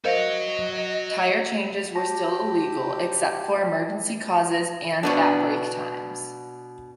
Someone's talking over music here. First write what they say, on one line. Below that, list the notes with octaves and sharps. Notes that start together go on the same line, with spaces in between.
Tire changes were still illegal except for emergency causes and at break times.
F#4 A#4 C5 C#5 D#5 F5
G4 A5 A#6
B2 B3 D4